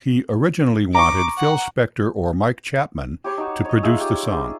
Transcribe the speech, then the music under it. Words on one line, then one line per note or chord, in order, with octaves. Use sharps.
He originally wanted Phil Spector or Mike Chapman to produce the song.
A#5 C#6 D6
F#5
G4 C#5 C#6
D#4 F#4
C#5 D#5
D#4 F4 G#4 E5
G4
G#4